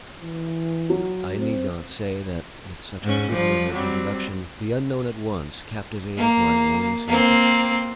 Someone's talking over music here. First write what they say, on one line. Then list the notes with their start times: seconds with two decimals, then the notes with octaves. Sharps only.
I need not say that, with such a good letter of introduction, the unknown at once captivated my warmest interest.
0.21 E3
0.90 F#3
1.39 C4
3.03 G#2 C#4
3.32 F3 G3
3.73 F#3 G3 C4
6.17 A#3
7.08 A#3 C4